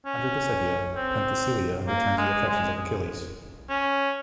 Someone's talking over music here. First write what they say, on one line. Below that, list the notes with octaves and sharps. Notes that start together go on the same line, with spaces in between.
Under this idea, Penthesilea returns the affections of Achilles.
C#4
C4
A#3
G#3
G#3
C#4